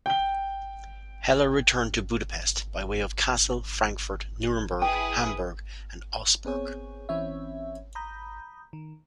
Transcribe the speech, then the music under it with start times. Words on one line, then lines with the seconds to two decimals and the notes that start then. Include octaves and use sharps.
Heller returned to Budapest by way of Kassel, Frankfurt, Nuremberg, Hamburg, and Augsburg.
0.06 G5 G7
4.82 E4 G#4 B4 G5 D#6
6.45 B3 C4 G#4 C#5
7.09 E3 C4 C#4 C#5 E5
7.95 A#5 B5 D#6 G6
8.73 D#3